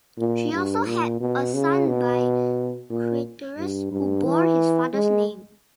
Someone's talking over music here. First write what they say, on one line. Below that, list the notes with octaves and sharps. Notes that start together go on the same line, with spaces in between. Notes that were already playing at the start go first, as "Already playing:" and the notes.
She also had a son by Craterus, who bore his father's name.
A#2
G2
A#2
B2
C#3
B2
A#2
G2
G2
E3
G#3